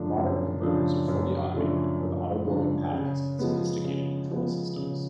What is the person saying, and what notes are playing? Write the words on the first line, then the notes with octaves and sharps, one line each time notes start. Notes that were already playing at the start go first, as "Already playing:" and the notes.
Modern converters are fully automated with auto blowing patterns and sophisticated control systems.
Already playing: F#2 C#3 F3 A3 D4
F#2
C#3 F3 A3 D4
F#2
C#3 F3 A3 D4
F#2
C#3 F3 A3 D4
C#3
F3 G#3 B3
C#3
F3 G#3 B3
C#3